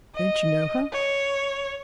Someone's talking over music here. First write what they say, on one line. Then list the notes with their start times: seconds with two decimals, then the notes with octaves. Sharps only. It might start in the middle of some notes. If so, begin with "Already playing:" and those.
"Don't you know her?"
0.15 D#5
0.92 C#5